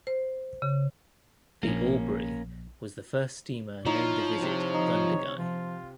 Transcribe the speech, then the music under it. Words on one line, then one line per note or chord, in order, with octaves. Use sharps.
The 'Albury' was the first steamer known to visit Gundagai.
C5
C#3
A#1 A#3 C#4
F3 D#4 E4 C#5
C3 A5
D#4
F3 F4